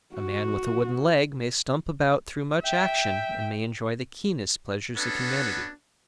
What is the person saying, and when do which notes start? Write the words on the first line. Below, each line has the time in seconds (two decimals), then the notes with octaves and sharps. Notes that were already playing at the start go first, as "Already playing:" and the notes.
A man with a wooden leg may stump about through much action, and may enjoy the keenest pleasures of humanity.
0.14 F#4
2.62 E5 G5
4.96 B3 C#4 D4 F#4 A4 B4